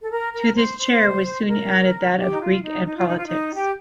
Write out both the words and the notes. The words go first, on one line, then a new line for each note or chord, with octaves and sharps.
To this chair was soon added that of Greek and politics.
A4
A#4
A#4
C5
C5
A#4
G4
D#4
F4
D#4
D#4
F4
D#4
F4
D#4
G4